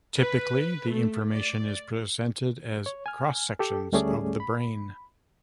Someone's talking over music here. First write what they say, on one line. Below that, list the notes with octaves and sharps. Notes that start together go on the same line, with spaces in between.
Typically the information is presented as cross sections of the brain.
B4
A3
D5
C#5
G#5 F6
G4 A4
D2 G3 A3 C#4 G#4 D5
B5